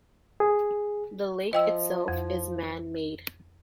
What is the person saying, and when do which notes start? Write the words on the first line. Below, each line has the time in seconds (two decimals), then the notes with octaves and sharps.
The lake itself is man-made.
0.40 G#4
1.53 F3 D#5 G5 E6
2.08 F2